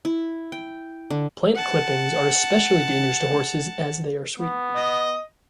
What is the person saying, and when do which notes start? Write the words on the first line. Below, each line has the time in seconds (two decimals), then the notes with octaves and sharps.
Plant clippings are especially dangerous to horses, as they are sweet.
0.05 E4
0.52 G5
1.10 D3
1.55 F#5 A5
4.39 B3
4.76 D#5